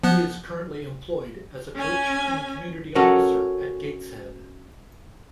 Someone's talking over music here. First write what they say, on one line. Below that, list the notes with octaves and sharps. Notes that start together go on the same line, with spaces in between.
He is currently employed as a coach and community officer at Gateshead.
F3 B3 F#6
C#4 G#5
C#4 F#4 A4 A#4 C#5